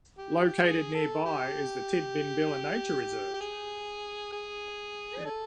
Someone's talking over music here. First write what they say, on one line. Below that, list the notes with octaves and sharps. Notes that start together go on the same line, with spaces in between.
Located nearby is the Tidbinbilla Nature Reserve.
G4
G#4
A4
G4
G4
G#4
G#4
A4